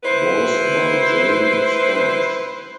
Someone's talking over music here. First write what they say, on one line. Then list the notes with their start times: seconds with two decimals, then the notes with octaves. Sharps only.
Voiced by Jane Spence.
0.03 E4 B4 C5